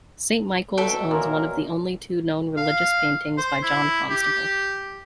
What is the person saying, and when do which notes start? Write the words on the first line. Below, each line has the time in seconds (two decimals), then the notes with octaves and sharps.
Saint Michael's owns one of only two known religious paintings by John Constable.
0.78 B2 F#3 A4 E5 G5
1.11 A#2 A#4
2.57 F5
3.38 C5
3.63 E4
4.10 G4